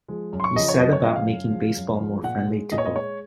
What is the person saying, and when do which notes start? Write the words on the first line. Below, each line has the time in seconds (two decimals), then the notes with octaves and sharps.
He set about making baseball more friendly to both.
0.08 F3 G#3
0.33 F#2
0.40 C6
0.44 C#6
0.56 C#3 F3 D#5
0.68 C#5
0.79 F#2 D#5
0.93 C#5
1.04 C#3 F3 D#5
1.16 F5
1.27 F#2
1.52 F3 G#3
1.76 F#2
2.00 F3 G#3
2.23 A#2 F#5
2.47 G#3
2.72 A#2 D#5
2.78 C#5
2.85 D#5
2.95 G#3 C#5